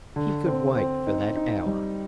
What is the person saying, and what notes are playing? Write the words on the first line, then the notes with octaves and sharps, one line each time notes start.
He could wait for that hour.
D3
C4
C4
D#4
D#4
G3